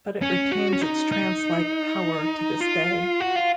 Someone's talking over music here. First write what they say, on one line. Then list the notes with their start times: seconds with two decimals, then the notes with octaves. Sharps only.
But it retains its trancelike power to this day.
0.22 C#4
0.52 F#4
0.73 C#4
0.81 D#4
1.12 D#4
2.60 F4
3.20 F#4
3.36 F4